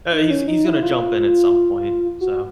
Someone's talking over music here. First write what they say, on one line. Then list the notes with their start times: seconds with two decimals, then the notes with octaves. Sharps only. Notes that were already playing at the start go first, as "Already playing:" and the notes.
uh he's he's gonna jump in at some point, so
0.12 D#4
0.30 C#4
0.48 D#4
0.65 E4
0.82 F4
2.21 F#4